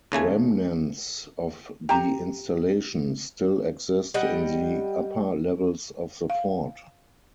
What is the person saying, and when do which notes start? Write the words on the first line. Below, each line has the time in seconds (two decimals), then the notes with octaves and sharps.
Remnants of the installation still exist in the upper levels of the fort.
0.12 D#2 C#3 A3 G#5
1.89 G4 A#5
4.14 G3 G4 D#5 F#5
6.30 F5